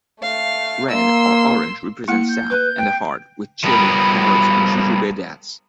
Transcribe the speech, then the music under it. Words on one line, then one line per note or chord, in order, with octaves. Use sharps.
Red or orange represents South and the heart, with chilli, carrots, and jujube dates.
A3 F5
A#3 C6 E6
A3 A#3 E4 C#7
G6
B4
G5
F3 G3 B3 A#4 B4